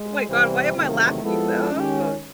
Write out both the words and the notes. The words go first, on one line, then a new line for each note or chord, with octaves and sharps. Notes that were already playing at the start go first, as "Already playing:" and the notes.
my god, why am I laughing? No,
Already playing: G#3
E2 C3 E3 G3 C4
E2 C3 D#3 F#3 A3
F3 G#3 B3 E4 A4
D#3 G#3 C#4